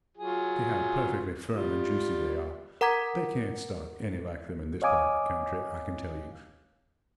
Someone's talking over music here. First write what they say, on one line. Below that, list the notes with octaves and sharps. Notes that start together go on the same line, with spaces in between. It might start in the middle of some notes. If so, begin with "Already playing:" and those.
See how perfectly firm and juicy they are--they can't start any like them in this part of the country, I can tell you.
F#3 F4 G#4
G3 F4
A#4 F#5 A#5 D6 G#6 B6
C#5 D#5 F5 G#5 D6 D#6